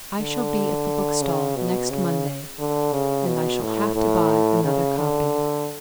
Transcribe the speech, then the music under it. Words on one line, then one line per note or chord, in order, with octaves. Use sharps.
I shall be at the bookstall next Monday and I shall have to buy another copy.
D3
C#3
B2
C#3
D3
C#3
B2
A2
A2
C#3
D3